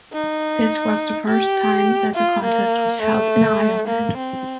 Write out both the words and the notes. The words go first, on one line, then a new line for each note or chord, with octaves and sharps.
This was the first time that the contest was held in Ireland.
D#4
G4
F4
A#3
A3
A#3
C4